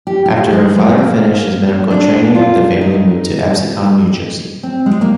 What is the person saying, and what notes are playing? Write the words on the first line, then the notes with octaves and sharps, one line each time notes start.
After her father finished his medical training, the family moved to Absecon, New Jersey.
G4
G4
F4
G#3
G#3
A#3
D4
F4
D#4
C4
G#3
A#3